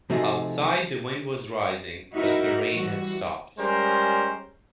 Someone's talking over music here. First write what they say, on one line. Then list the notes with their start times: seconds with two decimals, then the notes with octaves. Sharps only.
Outside the wind was rising, but the rain had stopped.
0.10 C3 F3 A3 D#4 F#4 G#4
2.13 D#4 E4 F#4 A#4
2.71 E3 G3 F#4
3.58 G3 G#3 C#4 A#4 C5